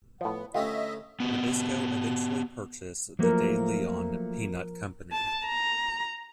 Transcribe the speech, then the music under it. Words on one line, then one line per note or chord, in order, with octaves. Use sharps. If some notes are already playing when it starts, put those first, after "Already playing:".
Nabisco eventually purchased the De Leon Peanut Company.
A2 F3 B3
D2 A3 C#4 F4 G4 D#5 E5
B3 F#4 G4
F3 F#3 A3 A#3 A#4
A5
A#5